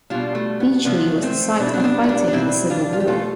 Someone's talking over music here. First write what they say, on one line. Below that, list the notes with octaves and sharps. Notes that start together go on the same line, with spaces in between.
Beachley was the site of fighting in the Civil War.
B2 G3 D4 F4
A3
B3
C3 F3 A3 B3 D4
A3 C4
B2 G3 D4
E4
B3 D4
C4
B3 D4
E4
B3 D4
D4
B2 G3 C4 E4
D4 F4
F4
G4
B2 A3 F4 A4